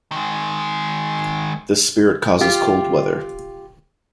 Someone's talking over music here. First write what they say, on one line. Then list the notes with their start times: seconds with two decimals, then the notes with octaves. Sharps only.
This spirit causes cold weather.
0.12 D#3 G#3
2.41 F4 G4